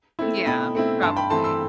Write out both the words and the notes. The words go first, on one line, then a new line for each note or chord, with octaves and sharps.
Yeah. Probably.
A3 C4 E4
B2 G5 B5
A3 C4 E4
G2 A5 C6
G5 B5
E3 A3 C4 A5 C6
C6 E6